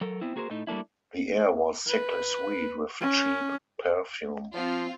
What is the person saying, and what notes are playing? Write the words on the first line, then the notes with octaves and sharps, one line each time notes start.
The air was sickly sweet with cheap perfume.
F#3 A4 A#4
B3 C4 E4
A#3 F#4 G#4 A#4 C5
A2 A3 D#4
G3 A3 A#3 D4 E4
B4
C#4
F3 C4 F4